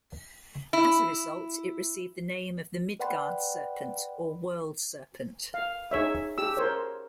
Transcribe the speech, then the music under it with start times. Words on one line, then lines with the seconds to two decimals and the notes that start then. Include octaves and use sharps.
As a result, it received the name of the Midgard Serpent or World Serpent.
0.73 E4
3.00 B4 D5 F#5 G5 B5 C6
5.54 F5
5.91 D#4 G#4 C#5 E5
6.38 G4 G#4 E6
6.57 A#4 C5 C#5